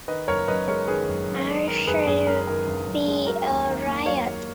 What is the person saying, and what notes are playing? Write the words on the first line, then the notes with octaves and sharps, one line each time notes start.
I shall be a riot.
D#3 B4 D#5
F#1 A#4 C#5
F#2 B4 D#5
G#3 A#4 C#5
D#3 G#4 B4
F#1
F#2
G#3
D#3 A#4
F#1 G#4 B4
F#2 G#4
G#3 A#4
D#3 A#4
F#1
F#2
G#3
F#3 A#4
D#2
D#3
A#3
F#3 C#5 F5
D#2